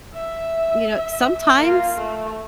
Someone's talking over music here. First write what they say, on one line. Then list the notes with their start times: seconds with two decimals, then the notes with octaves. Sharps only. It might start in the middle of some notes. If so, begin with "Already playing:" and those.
you know, sometimes
0.14 E5
1.59 A#3 F4
1.96 A3